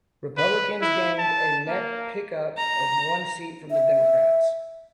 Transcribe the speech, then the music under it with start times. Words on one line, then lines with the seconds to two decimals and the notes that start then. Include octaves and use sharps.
Republicans gained a net pick-up of one seat from the Democrats.
0.38 B4
0.82 E4
1.19 A5
1.68 A#3
2.57 A#5
3.71 E5